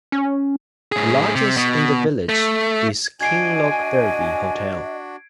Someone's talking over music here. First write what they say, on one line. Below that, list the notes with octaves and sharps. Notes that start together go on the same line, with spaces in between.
The largest in the village is Kinlochbervie Hotel.
C#4
A2 G#4
C3
B2
A3
D4 F#4 D#5 G#5 G#6 C7 D7